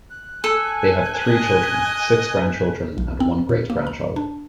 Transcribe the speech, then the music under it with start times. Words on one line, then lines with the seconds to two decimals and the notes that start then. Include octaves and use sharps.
They have three children, six grandchildren, and one great grandchild.
0.10 F#6
0.44 A4 G#5
1.26 D#5
2.98 B1
3.20 C4
3.49 A#2
3.70 A#3
3.87 A#5
4.16 D4